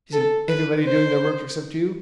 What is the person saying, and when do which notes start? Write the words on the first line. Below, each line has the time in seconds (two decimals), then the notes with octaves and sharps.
Isn't everybody doing their work except you?
0.13 A4
0.49 B4
0.85 C5